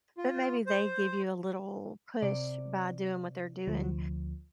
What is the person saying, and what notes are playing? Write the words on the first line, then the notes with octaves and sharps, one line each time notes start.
but maybe they give you a little push by doing what they're doing,
F4
C5
C3 D5
D2 F3